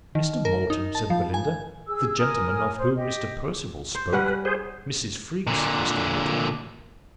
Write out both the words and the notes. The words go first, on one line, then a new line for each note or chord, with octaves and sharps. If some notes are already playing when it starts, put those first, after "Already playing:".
"Mr. Moreton!" said Belinda, "the gentleman of whom Mr. Percival spoke, Mrs. Freke's Mr. Moreton?"
D#3
A#4
D#4
A5
F3
G#5
G#4 E6
A#4 G#5 D#6 F6
C5
G4 D#5
C5
G3 C#4 B4 F#5
G#4 C5
A#2 D3